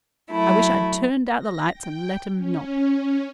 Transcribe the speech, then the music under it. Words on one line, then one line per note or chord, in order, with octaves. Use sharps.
I wish I'd turned out the lights and let 'em knock.
F#3 A3 E4
A#6
G5
C#4